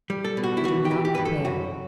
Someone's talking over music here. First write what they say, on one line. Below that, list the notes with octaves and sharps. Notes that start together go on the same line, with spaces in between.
I did not quail.
G3
A4
B2
F#4
E4
E3 F#4
G4
E3
G4
G2 B4
A4
F#2 F#4